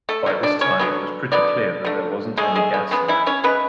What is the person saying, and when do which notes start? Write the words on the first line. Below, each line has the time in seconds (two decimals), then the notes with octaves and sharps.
By this time it was pretty clear that there wasn't any gas left.
0.09 A3 A4
0.26 B2 F#3 A3
0.43 D4 D5
0.61 C#4 C#5
0.79 D3 F#3 B3
1.32 D3 F#3 B3 D4 D5
1.85 D3 A3
2.37 D3 G#3 A3 G#4
2.55 G#3 G#4
2.74 B3
2.91 C#3 G#3 B3
3.08 E3 E4
3.26 C#4 C#5
3.44 C#3 G#3 B3 B4